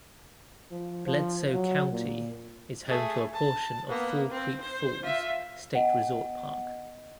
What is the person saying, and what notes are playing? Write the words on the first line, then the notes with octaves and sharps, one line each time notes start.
Bledsoe County is home to a portion of Fall Creek Falls State Resort Park.
F3
F3
F#3
A#2
A3 G#4
A5
A#3 B3
C4
C5
F4 E5
B3 D#5 F#5